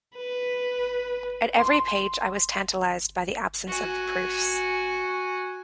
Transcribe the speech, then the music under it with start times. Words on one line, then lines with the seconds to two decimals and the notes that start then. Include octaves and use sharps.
At every page I was tantalised by the absence of the proofs.
0.16 B4
1.59 C6
3.68 F#4 G#5